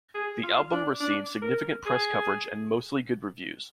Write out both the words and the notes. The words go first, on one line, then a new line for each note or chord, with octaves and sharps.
The album received significant press coverage and mostly good reviews.
G#4
F4
D4
D4
A#4
G#4